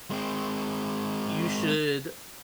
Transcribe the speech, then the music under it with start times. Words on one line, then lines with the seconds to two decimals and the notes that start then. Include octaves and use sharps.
you should
0.11 G#3 C4